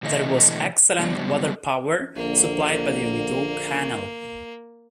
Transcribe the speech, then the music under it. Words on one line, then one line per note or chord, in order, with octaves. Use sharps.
There was excellent water-power supplied by the Rideau canal.
B2 D3 E3 A3 C#5 D#5
G#2 C#3 F#3 G3 B3 D4
A#1 D3 A#3